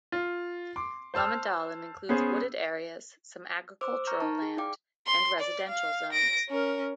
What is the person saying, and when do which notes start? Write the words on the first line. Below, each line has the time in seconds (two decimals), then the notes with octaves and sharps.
Lommedalen includes wooded areas, some agricultural land, and residential zones.
0.12 F4
0.76 C6 D6
1.14 C5 A5 E6 F6
2.09 B3 C#4 G#4 C5
3.81 C5 D6 E6
4.07 A#5 C#6 F6 G6
4.20 D#4 A5
4.42 G#4
4.57 E4 D5 F5 G5 D6
5.06 C6
5.40 D5
5.69 F5
6.12 A#6 D7
6.49 C#4 A#4